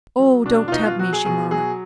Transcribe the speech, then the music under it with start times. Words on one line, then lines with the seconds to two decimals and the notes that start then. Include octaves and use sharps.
"Oh, don't tempt me!" she murmured.
0.19 F#3
0.45 B2 D4
0.68 F4
0.72 B2 D#4
0.81 F#4
0.85 F4
0.99 F#3 F#4
1.13 G#4
1.25 B2 G#4
1.51 F#3 G#4